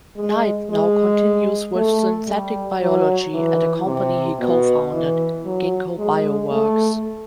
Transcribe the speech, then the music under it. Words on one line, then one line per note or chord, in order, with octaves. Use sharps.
Knight now continues with Synthetic Biology at a company he co-founded, Ginkgo Bioworks.
G#3
G#3
A3
G3
F#3
E3
C3
B2
E3
F#3
G#3
A3